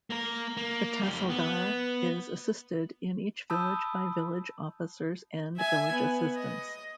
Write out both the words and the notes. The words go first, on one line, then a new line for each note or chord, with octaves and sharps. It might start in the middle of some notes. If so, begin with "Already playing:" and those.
The Tahsildar is assisted in each village by village officers and village assistants.
A#3 A#4
A#3
F2 G4
B3
A5 B5 D#6 E6 G6
E5 G#5
B3
D#5